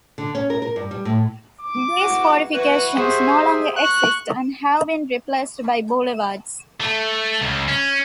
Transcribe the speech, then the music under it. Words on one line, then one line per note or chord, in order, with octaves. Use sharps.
These fortifications no longer exist and have been replaced by boulevards.
D3
C#4
A#4
A#4
G2
G3
A2
D6
E2 E3 F#4
E3 F#4 B4
G4 G#4 C5 E5
C#6 F#6
A3
C#2
C#4